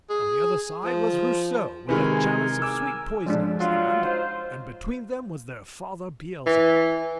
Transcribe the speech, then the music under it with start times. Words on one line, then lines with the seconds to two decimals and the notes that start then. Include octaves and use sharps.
On the other side was Rousseau, with a chalice of sweet poison in his hand, and between them was their father Beelzebub!
0.09 G#4
0.85 F3
1.89 C3 D#3 G#3 G#4 A#4 B4 G#5
2.62 D6 E6
3.26 F3 G#3 D4
3.58 F#3 F4
4.02 D#4 F4 C5
6.46 E3